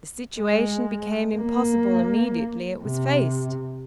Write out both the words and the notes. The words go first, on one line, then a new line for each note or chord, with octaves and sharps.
The situation became impossible immediately it was faced.
G#3
A#3
C3